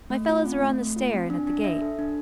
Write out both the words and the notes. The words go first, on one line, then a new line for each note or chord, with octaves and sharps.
'My fellows are on the stair and at the gate.
A3
F4
C4
A3
A3
F4
C4
D4
D4
E5
A4
D4